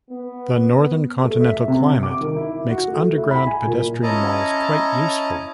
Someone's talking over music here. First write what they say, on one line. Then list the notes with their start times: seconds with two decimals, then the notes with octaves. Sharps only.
The northern continental climate makes underground pedestrian malls quite useful.
0.11 B3
1.24 A3
1.41 E5
1.68 C3
2.03 D6
2.21 D#3
2.36 E4
2.70 F#4
2.87 A3
3.17 E4
3.31 B5
3.47 G#5
3.67 A#2
4.03 C#4 E4 D#5 A5 A#5